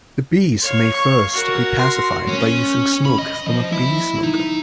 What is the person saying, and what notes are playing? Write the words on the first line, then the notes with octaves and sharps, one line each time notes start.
The bees may first be pacified by using smoke from a bee smoker.
C#5 F5
C#6
F#4 A#4
C6
C#4
B5
D#5
F3
E4
D#4